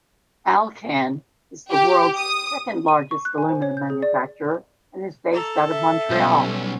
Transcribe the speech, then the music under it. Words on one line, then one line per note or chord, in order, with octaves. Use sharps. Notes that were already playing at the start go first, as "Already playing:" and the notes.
Alcan is the world's second largest aluminium manufacturer and is based out of Montreal.
G4
D#6
D#7
C#6
F#6
G#5
C5
C#5
G6
G#4
D5
A4 A#5
E5
B1 G3 C#4